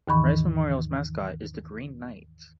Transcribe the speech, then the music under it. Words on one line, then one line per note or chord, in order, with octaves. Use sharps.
Rice Memorial's mascot is the Green Knight.
D#2 G#2 D#3 E3 B5 C#6